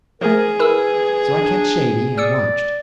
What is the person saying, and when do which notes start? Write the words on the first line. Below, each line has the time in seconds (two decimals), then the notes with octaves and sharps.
So I kept shady, and watched.
0.21 F3 A3 G#4 A#4
0.59 E4 A#4 B4 E6
1.40 D4
2.18 D5 D#6 E6 C#7